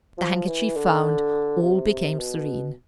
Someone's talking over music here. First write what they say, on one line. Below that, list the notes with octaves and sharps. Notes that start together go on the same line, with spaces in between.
The handkerchief found, all became serene.
F3
E3
D3
C3
B2